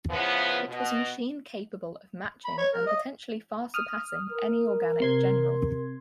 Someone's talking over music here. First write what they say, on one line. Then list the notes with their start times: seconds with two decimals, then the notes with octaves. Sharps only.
It was a machine capable of matching and potentially far surpassing any organic general.
0.10 C#3 E3 F3 B3
0.68 B2
2.45 B5
2.58 C#5
2.73 A#4
2.87 D#5
3.74 D#6 F6
4.31 A#4
5.00 C3 C6 G#6